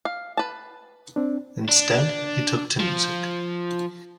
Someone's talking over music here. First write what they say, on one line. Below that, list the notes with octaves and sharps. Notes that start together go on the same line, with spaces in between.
Instead, he took to music.
F5
B4 A5
C4 D4
D4
F3